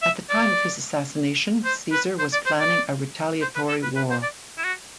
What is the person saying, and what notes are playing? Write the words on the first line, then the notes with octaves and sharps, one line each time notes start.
At the time of his assassination, Caesar was planning a retaliatory war.
E5
D5
C5
B4
C5
D5
C5
D5
C5
B4
A4
B4
B4
C5
D5
E4
F#4